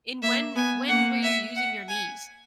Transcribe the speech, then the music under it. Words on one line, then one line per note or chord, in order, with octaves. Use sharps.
in when when were you using your knees?
A#3 E5
B3 G#5
A#3 F#5
E5
F#5
G#5